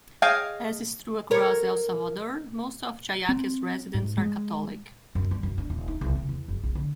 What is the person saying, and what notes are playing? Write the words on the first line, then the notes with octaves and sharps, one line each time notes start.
As is true across El Salvador, most of Jayaque's residents are Catholic.
G#4 C#5 D#5 F5 G5
A#4 C#5
C4
G#2
G#3
F#2
G3
F#2
D4
D#1
D#4
C2
C#3
E2
F#1
A#1
D3